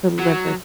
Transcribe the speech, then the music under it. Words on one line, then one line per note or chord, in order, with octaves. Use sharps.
to live with
F#3